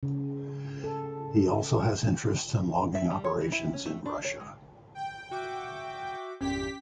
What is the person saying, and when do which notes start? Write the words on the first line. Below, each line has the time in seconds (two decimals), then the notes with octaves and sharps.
He also has interests in logging operations in Russia.
0.03 C#3
0.84 A4
2.95 E5
3.11 G3
3.24 C#5
3.41 E3
3.52 E4
3.73 C#4
3.86 A3
4.06 D4
4.24 C#5
4.40 G#3
4.95 G5
5.31 F#4 E5 D6
6.41 G1 E2 A#2 C#4 G4 B6